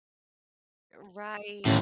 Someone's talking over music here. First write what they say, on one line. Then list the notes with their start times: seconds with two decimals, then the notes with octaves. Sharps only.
Eh, right.
1.65 A1 D#2 A2